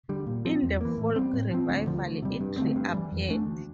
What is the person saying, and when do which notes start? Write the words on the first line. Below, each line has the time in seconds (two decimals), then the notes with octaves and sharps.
In the folk revival it reappeared.
0.09 D3 G3
0.27 A#2
0.45 F3 C4
0.63 E2
0.81 E3 A#3
0.98 A2
1.16 G3 C4
1.33 A2
1.51 F3 C4
1.69 D2
1.87 D3 F3
2.05 D2
2.22 C3 G3
2.41 G2
2.58 D3 A3 C4
2.76 G2
2.94 E3 G3
3.12 F2
3.29 E3 A3 D4
3.47 D2